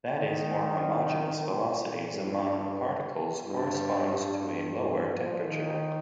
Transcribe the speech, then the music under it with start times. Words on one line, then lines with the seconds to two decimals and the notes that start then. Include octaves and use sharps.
That is, more homogeneous velocities among particles corresponds to a lower temperature.
0.17 D#3
1.49 A#2
2.15 G2
3.46 G2
4.13 G2
4.78 G2
5.12 F3
5.45 D#3